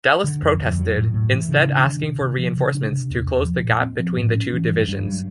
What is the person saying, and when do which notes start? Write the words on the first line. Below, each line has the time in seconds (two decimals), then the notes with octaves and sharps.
Dallas protested, instead asking for reinforcements to close the gap between the two divisions.
0.24 D3
0.42 F2
0.61 F2
0.79 F#3
0.97 A2
1.14 A2
1.31 E3
1.49 C#3
1.68 D4
1.85 D#3
2.03 C3
2.21 C3
2.38 F3
2.56 C#3
2.75 D4
2.92 C3
3.10 E2
3.27 E2
3.45 F3
3.64 A#2
3.81 C4
4.00 F3
4.17 A2
4.35 C#4
4.53 E3
4.70 G2
4.88 G2
5.06 F#3